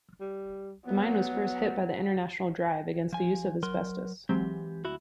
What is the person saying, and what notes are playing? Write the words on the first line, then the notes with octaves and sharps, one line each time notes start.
The mine was first hit by the international drive against the use of asbestos.
G3
F#3 B3
F3 G#5
F#3 A#4 C6
E3 F#3 G#3 C4 G4
D2 E4 F#4